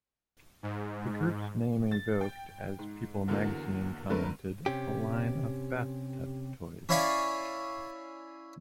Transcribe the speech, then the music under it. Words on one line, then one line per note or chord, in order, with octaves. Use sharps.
The group's name evoked, as "People" magazine commented, "a line of bathtub toys".
G#2
A6
G5
G#2
E2 D3 E3 F#3 A#3
D3 G3 A3 C4 A#4 B4
C3 C#4 G4
C#4 E4 C#5 D5 F5 G#5